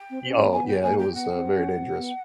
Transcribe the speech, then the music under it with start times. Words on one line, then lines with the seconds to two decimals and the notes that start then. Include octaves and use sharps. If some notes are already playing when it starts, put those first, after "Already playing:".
Y oh, yeah, it was, uh, very dangerous.
Already playing: G5
0.10 C4
0.23 C4
0.30 C#4
0.45 A#3
0.51 B3 G#5
0.67 G5
0.82 A#3 G#5
0.98 G5
1.13 B3 F#5
1.34 C4
1.54 C#4
1.76 C4
1.97 B3